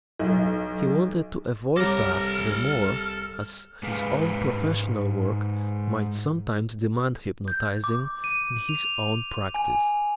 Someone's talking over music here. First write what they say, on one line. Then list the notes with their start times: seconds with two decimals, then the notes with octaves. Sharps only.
He wanted to avoid that the more as his own professional work might sometimes demand hypnotizing in his own practice.
0.20 B1
1.77 C2 A4 C#5 A#5 D6 F6 A#6
3.83 G#2 G#3 B4 F5
7.48 G6
7.84 D6
8.24 D#7
8.69 F7
9.54 G#5